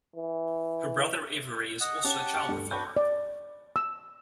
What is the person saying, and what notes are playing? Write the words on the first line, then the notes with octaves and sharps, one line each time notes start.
Her brother Avery is also a child performer.
E3
D#5 F#5
C#4 G4 F#5 A5
G5 C#6 C#7
D2 G2
D4 F#4 B4 G6
D5
E6